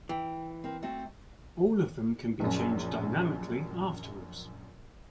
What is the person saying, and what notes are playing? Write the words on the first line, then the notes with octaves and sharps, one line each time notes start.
All of them can be changed dynamically afterwards.
E3 G5
C4 A#4
A3 C4 F#4
A#1 F#2